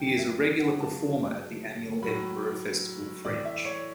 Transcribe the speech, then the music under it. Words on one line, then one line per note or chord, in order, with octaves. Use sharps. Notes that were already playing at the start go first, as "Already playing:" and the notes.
He is a regular performer at the annual Edinburgh Festival Fringe.
Already playing: B2 F#3 G5
E5
F#5
C#3 F#3 A5
A2 F#3 B5
A2 E3 D5
E5
C#5